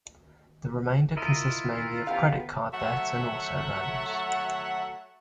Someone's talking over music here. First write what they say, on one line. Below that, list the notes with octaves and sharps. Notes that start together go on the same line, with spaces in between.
The remainder consists mainly of credit card debt and auto loans.
E4 F4 A#4 D#5
B3 G4 F5
F#3 A3 E5 F#5